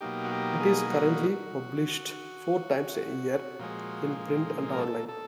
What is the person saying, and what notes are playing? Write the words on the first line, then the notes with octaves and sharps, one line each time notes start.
It is currently published four times a year, in print and online.
B2 F#3 A#3 D#4 G4
F#4
G4
G#4
F#4
A#2 F3 G#3
A#4
A4
A4